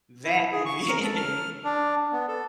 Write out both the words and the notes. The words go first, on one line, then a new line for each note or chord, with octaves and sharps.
That movie ending
E4
G#4
C#6
A#4
A4
F6
D4
B3
A4